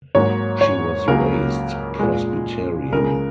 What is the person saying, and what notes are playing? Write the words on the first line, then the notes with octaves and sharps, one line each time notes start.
She was raised Presbyterian.
G#2 F#3 A#3 C#5
C#5
C#2 C#3 F#3 A#3 A#4
A#2 G#3
C#2 C#3 G#3 A#4